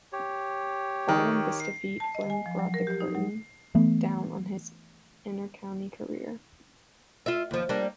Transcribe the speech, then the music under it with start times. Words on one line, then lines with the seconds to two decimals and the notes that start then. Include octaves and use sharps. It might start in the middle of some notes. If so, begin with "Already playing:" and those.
Following this defeat Flynn brought the curtain down on his inter-county career.
0.13 G4 C#5
1.08 D#3
2.00 A5
2.15 D#5
2.30 G#5
2.46 F3
2.59 F#3
2.74 A#4
2.87 G4
3.00 D#4
3.15 F#3
3.75 E3 A3 B3
7.26 F4 E5
7.51 D#2 F3
7.69 G3 A#3 D4